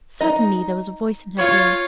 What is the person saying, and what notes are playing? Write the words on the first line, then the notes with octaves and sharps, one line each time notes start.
Suddenly there was a voice in her ear.
D#4 D#5
F4 C#5